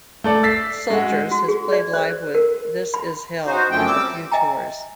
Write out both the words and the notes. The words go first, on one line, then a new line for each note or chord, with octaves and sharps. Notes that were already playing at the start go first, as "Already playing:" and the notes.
Soldiers has played live with This Is Hell on a few tours.
A3 A4 D5
E6 A6 B6 C7
G#3 F#4
F#4
G#4
D5
C5
A#4
B5
D#4 F#4 C5
F#2 F3 A3 G5
G3 C4 D6 E6
D#5 E5 G5 G#5 A#5